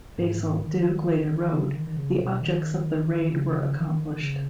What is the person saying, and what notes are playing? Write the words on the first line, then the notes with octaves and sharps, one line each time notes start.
Basil Duke later wrote, The objects of the raid were accomplished.
G#2
D#3
C#3
D#3
D#3
C#3
B2
D#3
C#3
D#3
C#3